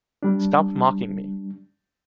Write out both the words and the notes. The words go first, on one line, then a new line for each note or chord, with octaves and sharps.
Stop mocking me.
G3 D4